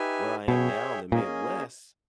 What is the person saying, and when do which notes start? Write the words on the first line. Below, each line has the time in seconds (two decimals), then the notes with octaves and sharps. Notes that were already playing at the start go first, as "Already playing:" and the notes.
where I am now in the Midwest,
Already playing: D#4 G4 B4 E5 G#5
0.48 B2 G#4 C#5 E5 G5
1.12 A#2 A#3 C#4 G#4 D#5